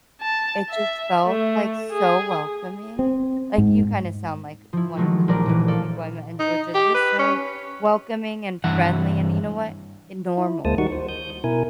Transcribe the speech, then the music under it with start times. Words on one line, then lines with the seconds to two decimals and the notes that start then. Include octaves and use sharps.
it just felt, like, so welcoming, like, you kinda sound like one of the pe people I met in Georgia, they're just so welcoming and friendly, and you know what? And normal.
0.21 A5
0.71 E5
1.27 A3
1.92 G#4
2.99 C4
3.58 G#2
4.73 F3 E4
4.97 D#3 E3 F#3 G#3 A3
5.28 A#1 G3 A#4 D5 D6
5.46 A#2 E3
5.68 A4 D5 F5
6.40 D#4
6.75 G4
6.95 B4
7.19 C#4
8.64 G2 E3 F#5
10.38 E4
10.65 D2 G#3 A#3 C5 A5 D#6
10.78 D#3 G3 D#4 F#4 F#5 C#6
10.92 C5
11.09 D#6 G6
11.44 B2 E4 A#4 G#5